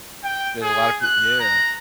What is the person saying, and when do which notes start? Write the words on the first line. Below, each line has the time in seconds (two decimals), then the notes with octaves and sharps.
There's a lot of p yeah.
0.24 G5
0.62 G#4
1.02 F#6
1.40 A#5